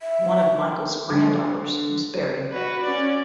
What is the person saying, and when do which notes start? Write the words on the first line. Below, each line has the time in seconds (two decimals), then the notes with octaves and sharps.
One of Michael’s granddaughters was buried there.
0.01 E5
1.10 D3
2.52 F#4 B4
2.83 C#4 D5